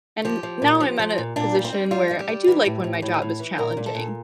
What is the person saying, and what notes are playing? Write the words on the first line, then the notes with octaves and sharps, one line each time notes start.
And now I'm at a position where I do like when my job is challenging,
F3 G4
F3
A#2
F3
F3
A#2
A#2 D4
G3
C4
G3
G3 F4
G3
G4
G3
E3
A2
A2
A2
A2
E3
A#2 A#4
A#2
A4
A#2